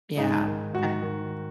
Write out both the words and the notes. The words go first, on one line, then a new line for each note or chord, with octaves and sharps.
Yeah. I
G#2 D#4 G#4
D#3
G#2 F#4
D#3